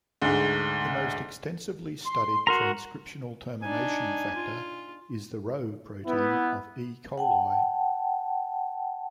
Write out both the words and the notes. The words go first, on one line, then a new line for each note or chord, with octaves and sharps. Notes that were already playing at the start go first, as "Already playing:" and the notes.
The most extensively studied transcriptional termination factor is the Rho protein of "E. coli".
D2 G#2
C6
F#4 A#4 A#5
D4 D#4 G#5
F4
B3 E4
F#5 G5 A5